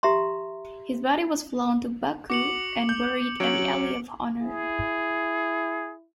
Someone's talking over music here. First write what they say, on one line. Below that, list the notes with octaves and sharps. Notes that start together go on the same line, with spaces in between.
His body was flown to Baku and buried at the Alley of Honor.
G4 E5 A#5 C6
F#4 D6 C#7 F#7
G6
F#3 C#4 C#5 D7 F#7
E4 G#4